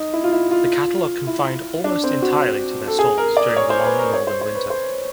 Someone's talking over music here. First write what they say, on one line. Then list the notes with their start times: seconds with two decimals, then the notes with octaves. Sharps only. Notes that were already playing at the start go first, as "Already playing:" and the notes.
The cattle are confined almost entirely to their stalls during the long northern winter.
Already playing: D#4
0.13 E4
0.24 F4
0.32 E4
0.51 F4
1.27 E4
1.84 D4
2.04 C4
2.22 F#4
2.88 A4
2.99 G#4
3.18 A#4
3.37 D5
3.56 C#5
3.70 C5
3.85 B4
3.99 A#4
4.13 C#5
4.27 C5
4.41 C5
4.55 B4
4.70 C5